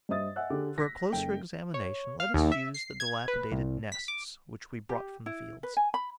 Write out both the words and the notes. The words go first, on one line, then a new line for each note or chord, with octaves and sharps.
For a closer examination, let us use the dilapidated nests which we brought from the fields.
G2 C5 D#5 E5 D#6 A6
D#5 E5 F#5 G#5 E6 F#6
D3 G4 G#4 G5 D6
A#6 B6
F#1 A4 G5
C#5
F5
D#2
E5
C7
G#6
B4
C2
B6
D6
G4
E4
B4
G#5
B5